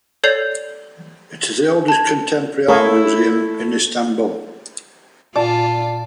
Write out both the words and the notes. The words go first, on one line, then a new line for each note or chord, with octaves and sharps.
It is the oldest contemporary art museum in Istanbul.
A4 C#5 D5 G6 C7 F7
A5 G#6
A3 E4 G#4 A#4 C#5
A#2 F4 D5 A5